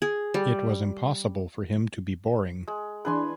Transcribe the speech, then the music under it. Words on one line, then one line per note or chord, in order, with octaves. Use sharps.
It was impossible for him to be boring.
G#4
G3
G#3
E3 D4 G#4 B4 G#5 C6